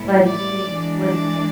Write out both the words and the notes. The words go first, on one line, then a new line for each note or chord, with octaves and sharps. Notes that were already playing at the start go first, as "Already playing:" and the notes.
But he would
Already playing: A2 G#3 B3 E4
D5
E3 G#3 D4
D5